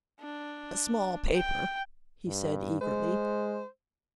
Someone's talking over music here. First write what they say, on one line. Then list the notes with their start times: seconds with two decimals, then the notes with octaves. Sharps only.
"A small paper," he said eagerly.
0.20 D4
1.35 G5
2.27 G2
2.81 G#3 C5